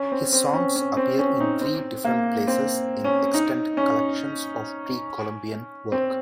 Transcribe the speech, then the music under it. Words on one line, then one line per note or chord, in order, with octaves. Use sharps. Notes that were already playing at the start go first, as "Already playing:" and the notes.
His songs appear in three different places in extant collections of Pre-Columbian work.
Already playing: C#4
C4
C4
C#4
C#4
C4
C#4
D#4
C4
A#3
C4
C#4
D#4
C#4
C4